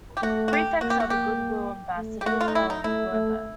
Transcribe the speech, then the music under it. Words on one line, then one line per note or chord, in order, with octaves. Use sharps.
Prefects are the good-will ambassadors of Woburn.
G4
A3 F#4
F#4
G4
A#3 F#4
G4
F#4
A#3 G4
A3
G4
A3 F#4
F4
D#4
E4
D#4
A3 E4
A3